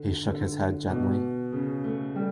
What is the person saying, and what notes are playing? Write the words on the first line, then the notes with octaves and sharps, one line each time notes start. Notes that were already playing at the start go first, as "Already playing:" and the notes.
He shook his head gently.
Already playing: D3
D3
B2
C#3
A3
G3